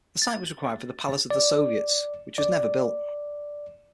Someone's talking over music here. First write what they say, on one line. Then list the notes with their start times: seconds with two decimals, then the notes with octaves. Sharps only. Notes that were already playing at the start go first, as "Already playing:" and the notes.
The site was required for the Palace of the Soviets, which was never built.
0.22 A6
1.30 D5
2.38 D5